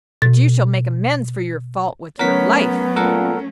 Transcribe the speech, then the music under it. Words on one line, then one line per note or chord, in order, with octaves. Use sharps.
But you shall make amends for your fault with your life.
B2 A6
F#3 A3 B3 C#4 A#4 C#5 F#5 B6
A#2 A4 A#4 F#5